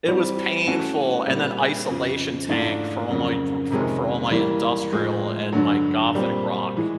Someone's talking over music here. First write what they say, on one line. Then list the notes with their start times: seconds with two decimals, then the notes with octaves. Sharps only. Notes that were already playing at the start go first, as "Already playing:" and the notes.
it was painful, and then isolation tank for all f f for my industrial and my gothic rock,
0.06 E3 G3 C4
0.66 E3 A3 C#4 F#4 A4
1.27 A#2 G3 C4
1.88 F2 C#3 F3
2.49 G#2 E3 A3 D4 F4
3.10 F2 C#3 F#3 A#3
3.70 F2 C3 D#3 G#3 C#4
4.31 E3 G3 A#3
4.92 A2 F3 G#3
5.53 G2 D3 F#3
6.14 A#2 G3 C4
6.77 E3 G#3